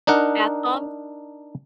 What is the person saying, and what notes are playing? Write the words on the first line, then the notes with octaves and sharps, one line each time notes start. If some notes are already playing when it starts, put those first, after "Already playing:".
Bath bombs.
D4 D#4 A#4 F#5